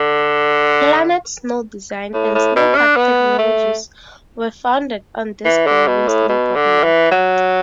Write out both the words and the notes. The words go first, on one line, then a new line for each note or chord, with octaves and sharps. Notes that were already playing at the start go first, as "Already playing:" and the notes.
Planet Snow Design and Snow Park Technologies were founded on this growing snowboard market.
Already playing: D3
A2
A2
B2
D4
B3
A3
E3
D3
B2
A2
B2
D3
E3
F#3